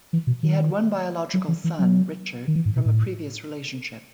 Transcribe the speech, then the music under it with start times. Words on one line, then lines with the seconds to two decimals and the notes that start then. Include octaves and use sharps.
He had one biological son, Richard, from a previous relationship.
0.13 E3
0.27 B2
0.43 D#3
1.34 F#3
1.48 E3
1.64 E3
1.79 F#3
2.48 D#3
2.55 E3
2.66 G#2
2.76 B2
2.86 A2